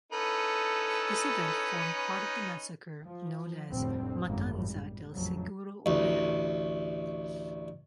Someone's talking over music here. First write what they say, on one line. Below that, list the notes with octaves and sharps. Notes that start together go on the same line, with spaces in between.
This event formed part of the massacre known as "Matanza del Seguro Obrero".
C#4 D#4 E4 A4 B4
F3
F1 D2 A2 D3 G3 C4
G#1 F#2 A2 A#3
G3
A1 F2 C#3 F3 F#3
A1 D2